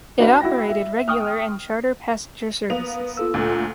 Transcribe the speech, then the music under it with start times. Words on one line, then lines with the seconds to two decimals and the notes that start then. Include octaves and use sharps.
It operated regular and charter passenger services.
0.19 D4 F#4 B4 D#5 F5 B5
0.40 E4 F#4 G5 A#6
0.70 E5
1.08 G5 C#6 D#6 F6
2.70 A#3 B3 F7
3.17 F4 A4 E6
3.34 D2 A#2